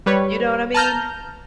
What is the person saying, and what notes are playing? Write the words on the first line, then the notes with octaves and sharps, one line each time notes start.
You know what I mean?
G3 B4 C#5
A5 A#5 F6 G6